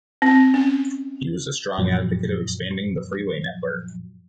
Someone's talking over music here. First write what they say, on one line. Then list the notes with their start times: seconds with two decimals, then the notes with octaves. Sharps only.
He was a strong advocate of expanding the freeway network.
0.22 C4
0.54 C#4
1.78 F#2 A#2 F3 F#3